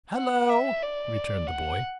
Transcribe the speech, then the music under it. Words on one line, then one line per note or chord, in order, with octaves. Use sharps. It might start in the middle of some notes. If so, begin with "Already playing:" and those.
"Hallo!" returned the boy.
F#5
E5
D5
F#5